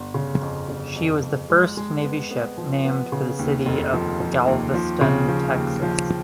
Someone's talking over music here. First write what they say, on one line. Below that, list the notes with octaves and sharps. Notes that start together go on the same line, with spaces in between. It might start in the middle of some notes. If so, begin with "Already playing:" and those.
She was the first Navy ship named for the city of Galveston, Texas.
Already playing: G1
C#3
F2
G1
F2
F2
G#3
G#3
B3
B3
F3
B3
C#3
D#2
F1
F3
F3
D#2
F3
C#3
F3
D#2
F3